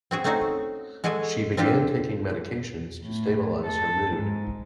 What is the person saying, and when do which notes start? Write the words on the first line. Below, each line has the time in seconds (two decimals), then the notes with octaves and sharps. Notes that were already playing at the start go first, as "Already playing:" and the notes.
She began taking medications to stabilize her mood.
0.11 C4 F#4 G#4
0.24 A3 C4 C#4 D#4 F#4
1.04 G#3 F#4 G#4 A4 G#5
1.57 C4 D4 F4 G4 A4
3.04 A2
3.66 A4
4.17 G#2